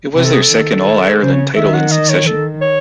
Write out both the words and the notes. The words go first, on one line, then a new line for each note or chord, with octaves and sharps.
It was their second All-Ireland title in succession.
C3 C4
A4
G#4
A4
D#3
C#3 C5
C#5
D#3 E5
F#5
D#5
C#5
D#3 A4
C#5